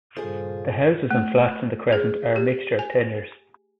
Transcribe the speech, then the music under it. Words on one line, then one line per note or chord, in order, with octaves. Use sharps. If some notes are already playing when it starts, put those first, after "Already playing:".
The houses and flats in the Crescent are a mixture of tenures.
G2 A#2 C#3 F4 G#4 A4 C5
A3
G#4
G4
G#5